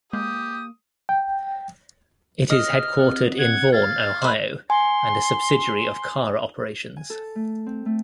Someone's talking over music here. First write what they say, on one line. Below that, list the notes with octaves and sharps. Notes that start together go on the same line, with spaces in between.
It is headquartered in Vaughan, Ontario and a subsidiary of Cara Operations.
G#3 A#3 G4 D#6
G5
D#5 F6
C4
F#5 G#6
F5 F6 G#6 A6
B4 C5 D#5
G#5 C6
G#5
A4
A3
C4
A3